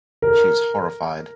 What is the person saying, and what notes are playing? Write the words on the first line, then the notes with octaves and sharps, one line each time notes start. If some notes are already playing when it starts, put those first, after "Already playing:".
She is horrified.
A#4